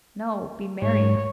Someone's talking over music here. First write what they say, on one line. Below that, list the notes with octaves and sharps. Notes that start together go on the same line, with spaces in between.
No, be merry.
G#2 C#5